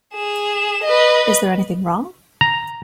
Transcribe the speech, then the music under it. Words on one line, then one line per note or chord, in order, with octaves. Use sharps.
Is there anything wrong?
G#4 E7
B4 D#5
A#5